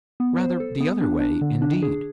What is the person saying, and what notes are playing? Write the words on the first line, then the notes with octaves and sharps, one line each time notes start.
Rather the other way, indeed.
B3
C5
A4
B3
D4
D4
D3
D4
G#4